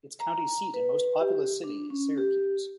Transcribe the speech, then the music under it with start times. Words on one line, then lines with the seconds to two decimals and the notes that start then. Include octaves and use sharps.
Its county seat and most populous city is Syracuse.
0.20 A#5
0.74 B4
1.20 G4
1.64 D4
1.90 C#4
2.18 G4